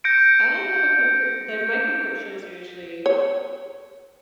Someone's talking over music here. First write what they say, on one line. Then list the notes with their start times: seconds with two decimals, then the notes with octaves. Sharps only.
I have a comfort the my comfort shows are usually
0.04 G6 A#6 C#7 D7
3.06 C#5